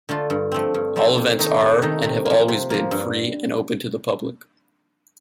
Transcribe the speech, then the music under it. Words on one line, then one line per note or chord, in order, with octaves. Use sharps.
All events are, and have always been, free and open to the public.
D3 A3 D4 F4
G2
F3 A3 C4
G2
F3 A3 C4
C3
D#3 A3 D#4
C3
D#3 A3 D#4
C3
F3 A#3
C3
F3 A#3
G2